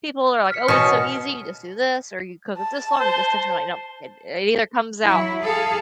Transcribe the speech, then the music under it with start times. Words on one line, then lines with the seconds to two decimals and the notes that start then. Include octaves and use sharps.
people are like, "Oh, it's so easy. You just do this or you cook it this long at this temperature." I'm like, "No." It it either comes out
0.50 F6 B6 C#7
0.68 B2 C#4 D#6 F6
2.57 A5
3.00 C5
5.03 F#3 E4
5.43 G#4 A4 F5